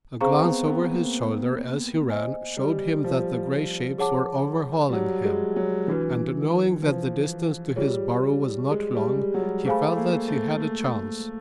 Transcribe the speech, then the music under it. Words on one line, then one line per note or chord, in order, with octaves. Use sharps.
A glance over his shoulder, as he ran, showed him that the gray shapes were overhauling him; and, knowing that the distance to his burrow was not long, he felt that he had a chance.
C4 G#4 C5 F5 A#5 C#6
B3
B3
A#3
C5 D#5 G#5
G3
F3
G#4 C#5 F#5 A5 D6
G3
F#3
G#3
F#3
E3 D4 F#4 B4
F3
G3 F4 G#4 C#5
G#3
G3
G3
F#3
G3
A3 G#4 C5 F5 G#5 B5
A3
A#3
A3
A3